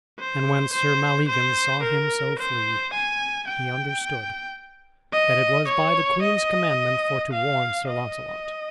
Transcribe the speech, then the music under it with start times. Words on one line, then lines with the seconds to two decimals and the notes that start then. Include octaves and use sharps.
And when Sir Maleagans saw him so flee, he understood that it was by the queen's commandment for to warn Sir Launcelot.
0.20 C5
0.73 C5
1.29 C5
1.83 A#4
2.39 C5
2.94 G#5
3.48 G5
5.13 D#5
5.68 C#5
6.22 D#5
7.33 F5
7.88 D#5